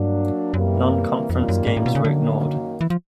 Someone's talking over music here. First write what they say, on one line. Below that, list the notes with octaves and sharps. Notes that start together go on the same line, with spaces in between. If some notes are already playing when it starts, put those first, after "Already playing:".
Non-conference games were ignored.
Already playing: G2 F#3 A#3 D4
F#2 C3 E3 G3 A#3
F2 D#3 G3 A#3 C#4 F4
F#2
G#2
A2
B2
C#3
F#2 D3 D#3 F#3 A#3
E3
F3